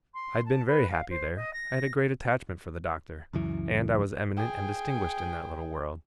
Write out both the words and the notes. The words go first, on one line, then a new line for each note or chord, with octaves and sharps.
I had been very happy there, I had a great attachment for the Doctor, and I was eminent and distinguished in that little world.
C6
A5
B4
F5
C5
D#5
A#6
C#2 F#2 E3
G#4 G5